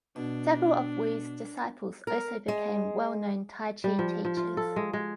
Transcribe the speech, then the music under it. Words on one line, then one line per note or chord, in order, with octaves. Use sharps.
Several of Wu's disciples also became well known t'ai chi teachers.
B2 D4
A#4
G#3
G3
F3
F3
F4
A4
G#3
G#3